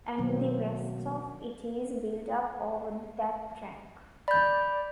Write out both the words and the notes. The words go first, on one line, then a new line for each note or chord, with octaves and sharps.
And the rest of it is built up over that track.
B2 D#3 F#3 A#3 C4
D5 B5 G6